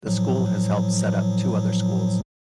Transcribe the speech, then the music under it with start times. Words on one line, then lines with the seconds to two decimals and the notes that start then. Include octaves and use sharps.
The school has helped set up two other schools.
0.06 A2 F3 F#3